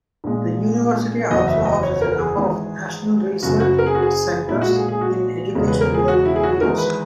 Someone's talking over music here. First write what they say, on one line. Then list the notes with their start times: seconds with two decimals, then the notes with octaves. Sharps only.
The university also houses a number of national research centres in education-related fields.
0.24 A#1 A#2 G#3
1.30 F#1 E2 D#3 F#3 D#5
1.47 E5
1.65 D#5
1.83 C#5
2.01 A#4
2.12 A#4
2.19 G#4
2.36 G#1 G#2 E3 G#3
3.42 F#1 F#2 C#3 F#4
3.60 F#4
3.78 A#4
3.86 G#4
3.95 F#4
4.02 G#4
4.48 B1 A#2 G#3 E4
4.61 F#4
4.75 G#4
4.88 G#4
5.01 F#4
5.55 E1 E2 C#3 G#3
5.68 B4
5.81 A#4
5.94 G#4
6.08 F#4
6.26 E4
6.36 G#4
6.43 F#4
6.61 G#1 G#2 E3 G#3 A#4
6.78 B4